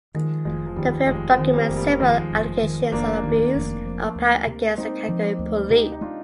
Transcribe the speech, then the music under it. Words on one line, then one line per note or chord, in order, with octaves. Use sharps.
The film documents several allegations of abuse of power against the Calgary Police.
D#3 F3 G#3
F1 F3 G#3
F3
D#2 G3
F1 F3 G#3
G#3 C4
D#3
G3 A#3
F1
G3
D#2 F3 G#3
F1
D#3
F1 A#3 D4
D#2
F1
F3
D2
C3
G#3 C4 D#4
F3
D2
C3 D#4 G4
D#4
G#3 D4 F4